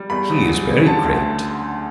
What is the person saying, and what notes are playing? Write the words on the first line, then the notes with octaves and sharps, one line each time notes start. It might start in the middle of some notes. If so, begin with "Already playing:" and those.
He is very great.
Already playing: G3
E2 B5
E1
G3
C#3
D3 A5
D2